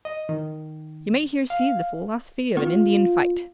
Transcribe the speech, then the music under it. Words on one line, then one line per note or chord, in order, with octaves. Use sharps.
You may here see the philosophy of an Indian fight.
D#5
D#3
F5
B3 F4